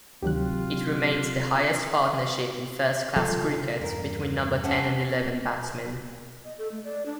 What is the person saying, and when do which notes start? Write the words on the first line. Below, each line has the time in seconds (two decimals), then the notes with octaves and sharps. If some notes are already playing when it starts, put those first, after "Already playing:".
It remains the highest partnership in first-class cricket between number ten and eleven batsmen.
0.23 D2 C3 D#3 F#3 F4 G4 F#6
3.16 F3 G#3 C#4 F4 A4
3.36 C3
3.81 E2 G2 A#4
4.64 C#4 F#5 A5
6.45 D#5
6.58 A4
6.72 A3
6.84 D5
7.06 D4